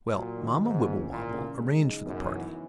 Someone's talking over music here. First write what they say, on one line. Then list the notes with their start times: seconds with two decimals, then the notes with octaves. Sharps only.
Well, Mamma Wibblewobble arranged for the party.
0.14 A#2 F#3
0.38 D#3
0.61 G#2 A#3
0.85 C#4
1.10 A#2 E3
1.33 C#3
1.58 G#3
1.81 D#4
2.05 F#2 B3
2.29 E3